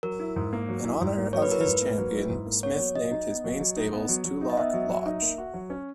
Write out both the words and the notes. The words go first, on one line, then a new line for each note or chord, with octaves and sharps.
In honour of his champion, Smith named his main stables Tulloch Lodge.
F#3 A#4
E4
G#2
A#3
F#3
E4
G#2
A#3
F#3 C#5
B4
E4 A#4
B4
G#2
A#3
F#3
E4
G#2
A#3
B3 C#5
F#3
F#3 D#5
D#4
B3
F#3
F#3
D#4
B3
F#3
F#3
D#4
D#5
B3 E5
F#3
F#3
D#4
A#3
F#4
F#3
C#4